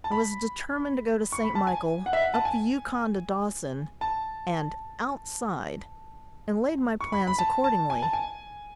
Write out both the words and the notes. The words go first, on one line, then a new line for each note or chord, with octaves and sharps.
I was determined to go to St. Michael, up the Yukon to Dawson, and "outside," and laid my plans accordingly.
A5
B5
C#6
B5
A5
G#5
F#5
E5
F#5
A5
G#5
A5
C#6
B5
B5
A5
A5
G#5
A5
G#5